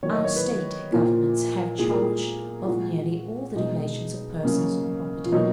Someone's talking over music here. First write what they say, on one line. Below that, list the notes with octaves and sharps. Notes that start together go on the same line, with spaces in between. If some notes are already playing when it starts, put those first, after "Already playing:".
Our State governments have charge of nearly all the relations of person and property.
D#3 F#3 A#3 C#5
D#5
C#5
B4
A#2 F3 A#3
A#2 G#3 G#4
A#4
G#4
F4
A#2 G#3 F#4
B2 G#3 D#4
C#3 F#3 A#3
F4
B2 F#3 A#3 D#4